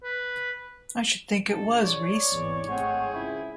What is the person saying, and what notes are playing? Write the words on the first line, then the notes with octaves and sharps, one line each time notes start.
I should think it was, Rhys.
B4
A#1 A4
C#5 D5
G#1 E2
A2 G#3 C4 G#4 F#5
C#2 E4